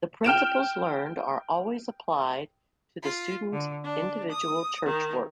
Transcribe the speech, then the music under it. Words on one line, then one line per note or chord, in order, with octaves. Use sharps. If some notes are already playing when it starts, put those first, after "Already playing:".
The principles learned are always applied to the student's individual church work.
G5 F6 D7 E7
F4
D3
D4
D#6
D#3